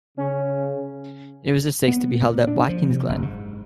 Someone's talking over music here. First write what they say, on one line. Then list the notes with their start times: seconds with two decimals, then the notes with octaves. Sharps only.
It was the sixth to be held at Watkins Glen.
0.17 C#3 C#4
1.88 B3
2.22 A#2
2.47 D4
2.69 F3
2.90 C3
3.09 F#1
3.22 G#2